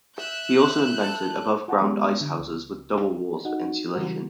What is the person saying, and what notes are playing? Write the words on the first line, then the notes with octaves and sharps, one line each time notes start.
He also invented above-ground ice houses, with double walls for insulation.
E5 E6 F#6 G6
A4
F4 F#5 G5 A5 A#5
G#3 B3 G4
D3
C#2
D#4 F#4 F#5
C#3 E3 G3 F#4 A#4